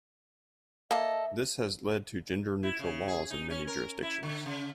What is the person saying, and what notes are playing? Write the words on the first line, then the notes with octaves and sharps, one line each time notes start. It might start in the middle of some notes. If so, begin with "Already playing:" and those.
This has led to gender-neutral laws in many jurisdictions.
A#3 A4 D#5 E5
E4
C#3
G#4
D#4
C#4
A#4
E4
D3
C#3